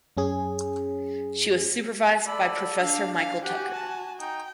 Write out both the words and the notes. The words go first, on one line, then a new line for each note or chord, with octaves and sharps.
She was supervised by Professor Michael Tucker.
F#2 C#4 G#4
A4 D5 B5
D4 F5
F5
F#4 G4 F#5 G#5
A5
D#4 G5